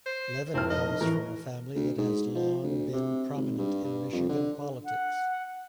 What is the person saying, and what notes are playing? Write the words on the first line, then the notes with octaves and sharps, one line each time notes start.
Levin comes from a family that has long been prominent in Michigan politics.
C5
F1 C4 E4 F6
F1 D#5
A2 E3 A#4
D2
G#2
F3
D2
C3
G#1
G2
G2
F2
D3
F#5